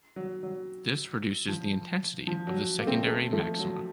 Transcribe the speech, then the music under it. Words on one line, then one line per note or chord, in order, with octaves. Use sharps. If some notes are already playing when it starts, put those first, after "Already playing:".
This reduces the intensity of the secondary maxima.
F#3
F#3
F3
F3
F#3
A#3
A3 C4
A3 C4
F3 A3
F#3